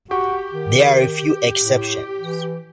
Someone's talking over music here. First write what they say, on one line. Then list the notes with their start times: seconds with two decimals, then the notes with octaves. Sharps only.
There are a few exceptions.
0.11 F#4 G4
0.53 D#3
1.57 A2
2.17 E3